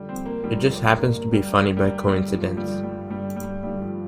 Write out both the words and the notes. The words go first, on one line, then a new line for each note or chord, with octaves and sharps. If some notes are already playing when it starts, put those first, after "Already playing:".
It just happens to be funny by coincidence.
Already playing: F2 D3 G3
C4
A#3
F2 D3 G3
G2 D3 A#3
A#3
G3
G2 D3
G3
G2 D3 G3
F3
G2 D3 G3
G3
G2 D3 G3
G3
G2 D3 G3
F3